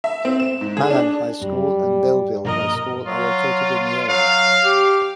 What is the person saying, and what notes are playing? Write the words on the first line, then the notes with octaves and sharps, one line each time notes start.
Malan High School and Bellville High School are located in the area.
E5
C4
E7
G#2
G#4
D4
F#2 G3
G2 A#2 F3 A#4 D#5
F#3 F4
F#3 F5
G4